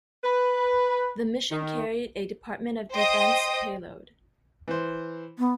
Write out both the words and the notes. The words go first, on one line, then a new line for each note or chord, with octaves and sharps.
The mission carried a Department of Defense payload.
B4
D#3
C5 D#5 G5 D#6
E3 C5
B3